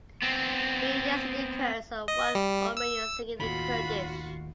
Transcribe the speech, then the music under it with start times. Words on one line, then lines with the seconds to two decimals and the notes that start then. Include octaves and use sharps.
Three Yazidi Kurds and one Armenian singing in Kurdish.
0.22 B3 C4
2.08 D#5
2.35 G3
2.77 E6
3.39 D#2 A2 D#3 F4 F#4 B5